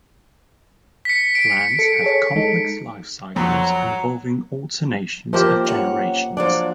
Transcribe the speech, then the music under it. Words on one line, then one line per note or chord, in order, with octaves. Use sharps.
Plants have complex lifecycles involving alternation of generations.
B6 C#7
D7
A4 C#7
G#4 A4 C#5
G#3 D#4 A4
F2 F#3 A#5
F3 A#3 G4 C5 A5
F#2 C#5 F#5
F3 F#3 D4 D5